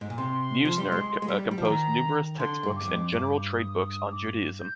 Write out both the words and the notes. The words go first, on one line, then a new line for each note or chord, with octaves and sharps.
Neusner composed numerous textbooks and general trade books on Judaism.
G#2
A#2
C3 C6
F3
G3
G#3
G#3
G3
G3
F3
D#3 A#5
D3 C6
G2
G2 D6
F2
G2 D6
D#6
D#6
D#6
D6
G6